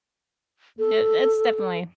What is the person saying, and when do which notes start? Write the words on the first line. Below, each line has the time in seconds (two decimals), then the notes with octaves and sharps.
that that's definitely
0.79 A4